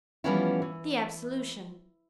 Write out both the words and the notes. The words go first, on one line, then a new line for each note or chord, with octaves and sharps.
The Absolution.
E3 F3 G3 B3 C#4 E4
E3